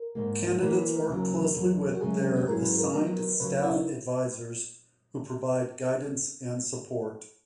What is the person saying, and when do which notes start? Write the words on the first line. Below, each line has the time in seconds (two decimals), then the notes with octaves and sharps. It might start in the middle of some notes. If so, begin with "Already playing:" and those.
Candidates work closely with their assigned staff advisors, who provide guidance and support.
Already playing: A#4
0.15 G#2 D#3 A#3
0.61 E3 A#3 E4 B4
0.73 A#4
0.85 B4
0.97 A#4
1.08 D#2 C#3 F#3
1.54 E2 D#3 F#3
1.95 F#4
2.01 F#2 C#3 G#3 C#4 G#4
2.16 G#4
2.32 B4
2.47 G#2 F#3 C#4 E4 G#4 A#4
2.62 B4
2.78 A#4
2.93 D#3 F#3 B3 D#4 A#4
3.40 D#2 C#3 F#3 C#4 B4
3.63 E4
3.74 D#4